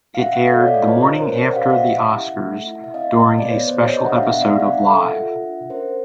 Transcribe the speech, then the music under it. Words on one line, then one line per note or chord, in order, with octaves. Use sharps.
It aired the morning after the Oscars, during a special episode of Live!
F5
C#4 E5 F#5
E5 F#5
A4 D#5 F5
C#5 D#5
D5
F4 C#5 D#5
B4 C#5
C#4 B4
A#4 C5
C#4 B4 C#5
C5 D5
F#5
G4 D#5 F5
E5 F#5
E4
C#4
A3
E4
E5
C4 D#5 F5
A3
D5
B3 B4 C#5
C5 D5
G4
C#5 D#5
D4 E5 F#5
F5
E5 F#5
B3
D5 E5
F5
D4 E5 F#5
A4
F4
D4
C#4 A#4 C5